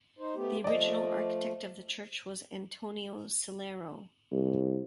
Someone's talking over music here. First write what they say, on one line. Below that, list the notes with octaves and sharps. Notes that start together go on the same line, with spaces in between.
The original architect of the church was Antonio Sillero.
D#4 C5
A3 B3 G4
F3 A3 D5 D#5
C2